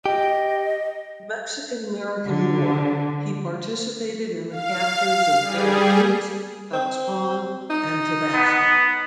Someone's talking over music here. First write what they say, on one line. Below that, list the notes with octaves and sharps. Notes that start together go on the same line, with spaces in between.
In the Mexican-American War he participated in the captures of Veracruz, Tuxpan and Tabasco.
G4 D#5
D3
F5
G3 G#4
C4
D#4
B3